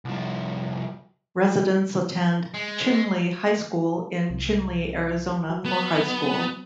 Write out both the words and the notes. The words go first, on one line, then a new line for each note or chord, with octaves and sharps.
Residents attend Chinle High School in Chinle, Arizona, for high school.
C2 F3
G#3
C2
F#3
B3